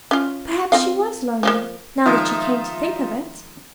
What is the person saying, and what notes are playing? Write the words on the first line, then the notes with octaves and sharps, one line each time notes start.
Perhaps she was lonely, now that she came to think of it.
C#4 F4
C4 F4 F5
F3 F#3 A#3
D#3 F3 G#3 D#4 F4 E5